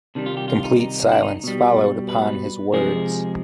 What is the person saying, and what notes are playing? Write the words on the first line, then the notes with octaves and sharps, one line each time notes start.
Complete silence followed upon his words.
C3 D#3 G3 D4
F4
G4
F4
D#4
D#4
D4
D#4
B2 G3
B4
C3 F3 G#3 G#4